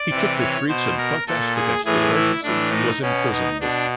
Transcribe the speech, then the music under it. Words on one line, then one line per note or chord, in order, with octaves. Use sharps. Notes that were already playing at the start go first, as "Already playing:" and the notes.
He took to streets in protest against the emergency and was imprisoned.
Already playing: D5
C3 E3
C#5
B2 C5
A#4
A#2 A4
G#4
A2 E3 G#4
E4
A2 E3 D4
D#4
B2 C#4
D#4
B2 D4